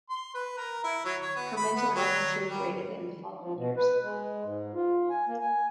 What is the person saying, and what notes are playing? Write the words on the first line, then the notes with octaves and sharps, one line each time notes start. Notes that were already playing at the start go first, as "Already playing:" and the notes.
Her mental health deteriorated in the following years.
C6
B4
A#4
E4
F#3
C#5
B3
B5
B3
F#3
G3
F3
B2
B4
G#3
G#2
F4
G#5
A#3
G#5